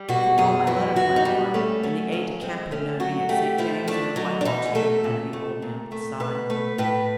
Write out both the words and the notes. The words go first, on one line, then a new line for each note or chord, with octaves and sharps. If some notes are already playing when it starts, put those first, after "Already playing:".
"To all my letters, my lord; and the aide-de-camp had known me at St. James's and at Whitehall, too," added the old man with a sigh.
Already playing: G3
B2 F#4
F#2 G#4
E3 F#4
F#2 F#4
D#4
G3 D4
A3 C#4
F#3 C#4
G2 C#4
G#3 C4
A3 C#4
F#3 F#4
A3 G4
F3 E4
A3 D4
F#3 D#4
D4
B2 D#4
G#4
A3 A4
A#2
A3
A#2
A3
B2 B4
A3 B4
A2 B4